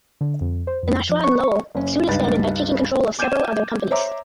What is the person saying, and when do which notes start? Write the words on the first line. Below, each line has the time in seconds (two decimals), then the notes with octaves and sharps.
The Nashua and Lowell soon expanded by taking control of several other companies.
0.21 D3
0.41 F2
0.67 C5
0.83 F2
1.09 F3
1.23 C#6
1.43 C#6
1.75 F#1 C#4
2.08 C#2 G2 G3 D#4 B4 A6
3.19 D6 G6 G#6 D#7 E7
3.91 C5 C#5 E5 A#5 D6